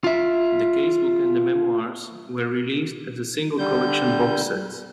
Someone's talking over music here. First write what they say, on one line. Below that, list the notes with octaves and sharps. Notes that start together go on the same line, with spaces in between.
"The Casebook and The Memoirs" were released as a single collection box sets.
F4 E5
D3 G3 G6